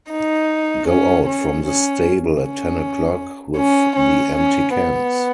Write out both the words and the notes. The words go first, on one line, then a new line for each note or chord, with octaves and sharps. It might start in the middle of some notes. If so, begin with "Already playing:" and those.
Go out from the stable at ten o'clock with the empty cans.
D#4
C#4
C#4
C#4
C#4
C#4
C#4
C#4
B3